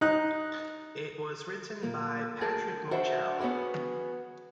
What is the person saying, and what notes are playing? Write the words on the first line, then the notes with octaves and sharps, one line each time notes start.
It was written by Patrick Mochel.
D#4 F#6
A#2 A#3
D2 G#4 A#4 G5 A5
D4 F#4 C5 E5 G5
B3 C#4 F#4 G#4 B4